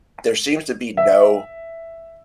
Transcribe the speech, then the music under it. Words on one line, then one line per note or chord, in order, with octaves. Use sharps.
there seems to be no
E5